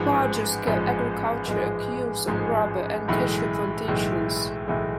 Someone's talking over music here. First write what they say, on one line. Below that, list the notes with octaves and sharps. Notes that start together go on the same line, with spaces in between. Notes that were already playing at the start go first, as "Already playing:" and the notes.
Larger-scale agriculture occurs on rubber and cashew plantations.
Already playing: A1 G#2 F3 G#3
A1 G#2 F3 G#3
A1 G#2 F3 G#3
A1 G#2 F3 G#3
B1 A2 E3 G#3
B1 A2 E3 G#3
B1 A2 E3 G#3